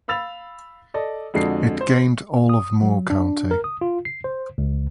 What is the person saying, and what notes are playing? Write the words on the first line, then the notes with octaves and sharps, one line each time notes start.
It gained all of Moore County.
F5 B5 E6 A6 F7
A4 D5 D#5
F2 D3 G#3 D4 F#4 C7
C5
D#6
F#3
D4
A#4
D#6
F4
C7
C5
C#2